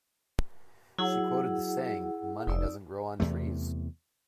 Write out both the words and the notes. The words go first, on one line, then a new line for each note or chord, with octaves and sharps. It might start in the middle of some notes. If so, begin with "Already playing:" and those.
She quoted the saying: money doesn't grow on trees.
F#3 E4 G#4 F#5
F1 D#4 D5 E6
E2 C3 A3